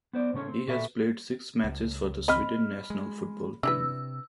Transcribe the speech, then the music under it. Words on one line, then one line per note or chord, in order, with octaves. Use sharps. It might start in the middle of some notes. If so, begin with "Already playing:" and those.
He has played six matches for the Sweden national football team.
B3 C5 D5
A2 C#3 A3 C#4 C#5
C4
A#2 F#4 A4 E5 B5
C#2
C4 D#5 B5 F6
G#3
C3 D4 E4 B4 E6